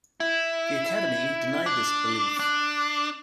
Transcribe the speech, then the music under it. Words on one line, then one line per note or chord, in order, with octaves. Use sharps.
The Academy denied this "belief".
E4
D4
D4